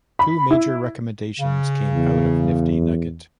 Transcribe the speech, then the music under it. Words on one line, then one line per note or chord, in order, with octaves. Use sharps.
Two major recommendations came out of Nifty Nugget.
B5
E4
C#3
E2